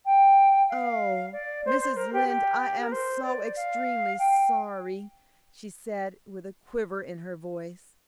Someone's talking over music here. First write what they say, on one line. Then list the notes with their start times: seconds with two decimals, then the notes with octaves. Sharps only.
"Oh, Mrs. Lynde, I am so extremely sorry," she said with a quiver in her voice.
0.05 G5
0.69 F5
1.32 D5
1.65 C5
1.80 C5
1.96 A#4
2.13 G4
2.28 G4
2.80 A#4
2.92 C5
3.23 D5
3.56 F5
4.19 G5